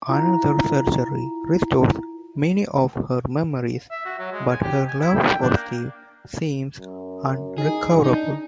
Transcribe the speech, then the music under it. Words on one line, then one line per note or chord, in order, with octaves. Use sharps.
Another surgery restores many of her memories, but her love for Steve seems unrecoverable.
E4 F4 A#5
E5
F#4
F#3
G#3
G#5
G4
G#5
E4
G5
G5
D4
A#3
F#2
D#4 G#4
D4 D#4